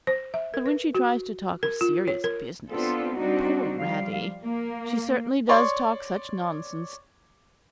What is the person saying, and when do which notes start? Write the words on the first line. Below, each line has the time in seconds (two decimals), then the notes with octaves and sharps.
But when she tries to talk of serious business--poor Radie! she certainly does talk such nonsense!
0.07 C5
0.34 E5
0.54 A#4
0.66 B4
0.95 F#4
1.63 A#4
1.81 F4
2.08 C#5
2.24 A#4
2.69 B3 C4 D4 F4 A4
3.16 G3 C4 D4 D#4 F#4
3.76 F3 G3 F5
4.44 A#3
5.49 C#5 D5 C6 C#6